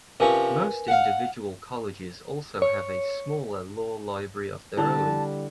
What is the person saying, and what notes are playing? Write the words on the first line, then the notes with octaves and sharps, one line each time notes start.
Most individual colleges also have a smaller law library of their own.
C3 F3 C#4 A#4 B4 G#5
F5 F#5
C#5
D3 G3 E4 D5 A5 E6